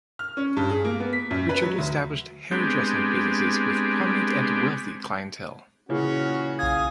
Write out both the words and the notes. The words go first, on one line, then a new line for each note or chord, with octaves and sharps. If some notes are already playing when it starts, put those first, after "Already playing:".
Richard established hairdressing businesses with prominent and wealthy clientele.
F6
C#4
G2
G#4
A#3
B3
B6
F#2
B4
F#3
D2
G#3 B3 C4 D4 G4
A#2 C#3 E3 C#4 F#4
B1 F5 G#5 D#6 G#6